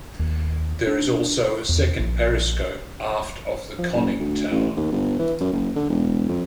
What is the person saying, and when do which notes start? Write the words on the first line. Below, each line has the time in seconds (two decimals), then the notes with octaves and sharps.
There is also a second periscope aft of the conning tower.
0.19 D#2
0.87 D4
1.69 E2
1.99 A#1
3.78 F3
3.94 F#1
4.20 D2
4.51 A1
4.77 D#2
4.92 G1
5.19 E3
5.40 F#2
5.52 F#1
5.75 D3
5.90 E1
6.28 F2